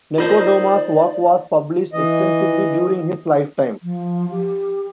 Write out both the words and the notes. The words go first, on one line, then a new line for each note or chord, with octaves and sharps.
Nechodoma's work was published extensively during his lifetime.
D#4 F4 A#4 C5 D5 D#5 A5
E3 D#5
F3
G4